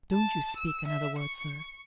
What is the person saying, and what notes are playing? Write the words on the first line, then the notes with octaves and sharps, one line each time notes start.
Don't you speak another word, Sir.'
A5
E6
E5
C#6